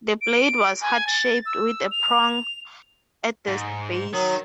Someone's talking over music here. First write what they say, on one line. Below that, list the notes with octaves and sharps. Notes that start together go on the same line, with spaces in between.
The blade was heart-shaped with a prong at the base.
D7
G#5
A6
E6
F7
G#2
D#3 F#3